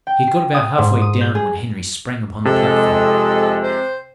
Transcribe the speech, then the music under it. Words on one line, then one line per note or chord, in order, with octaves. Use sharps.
He had got about half-way down, when Henry sprang upon the platform.
G5
C7
D#6
G#2
D#6
G6
G#4
F2 C3 G#3 A4
C5